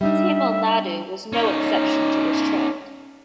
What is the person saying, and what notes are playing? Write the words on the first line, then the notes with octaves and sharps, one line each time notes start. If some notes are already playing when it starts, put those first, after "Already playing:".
Tamil Nadu was no exception to this trend.
G3 D4 D#4 E5
C#4 D#4